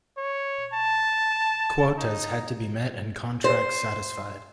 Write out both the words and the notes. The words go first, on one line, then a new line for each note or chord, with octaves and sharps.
Quotas had to be met and contracts satisfied.
C#5
A5
D#4
C5